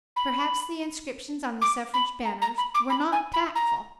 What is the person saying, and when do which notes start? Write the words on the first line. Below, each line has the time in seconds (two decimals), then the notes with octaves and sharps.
Perhaps the inscriptions on the suffrage banners were not tactful.
0.16 B5
1.61 D6
1.94 B5
2.25 A#5
2.42 A#5
2.58 B5
2.74 D6
2.90 B5
3.12 G#5
3.33 B5
3.55 A#5